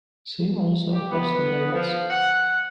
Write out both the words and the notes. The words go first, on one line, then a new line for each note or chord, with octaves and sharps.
See also Apostolates.
G4
B3
F3
F#5